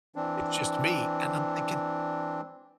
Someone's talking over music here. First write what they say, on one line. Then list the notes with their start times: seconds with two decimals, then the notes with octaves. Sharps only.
It's just me," and I'm thinking,
0.16 E3 C4 D4